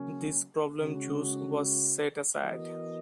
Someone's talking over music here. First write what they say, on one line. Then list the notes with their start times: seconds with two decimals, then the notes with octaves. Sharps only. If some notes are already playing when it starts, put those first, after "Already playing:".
This problem juice was set aside.
Already playing: C#3 F#3 A#3 C#4
0.79 C#3 G#3 C#4 F#4
2.41 E3 B3 F#4 A#4 D#5